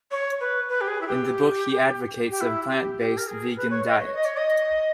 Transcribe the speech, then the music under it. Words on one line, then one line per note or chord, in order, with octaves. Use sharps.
In the book he advocates a plant-based vegan diet.
C#5
B4
B4
G4
G#4
E4
G4
G4
E4
G4
G4
A#4
G#4
B4
C#5
D#5
C#5
D#5
C#5
D#5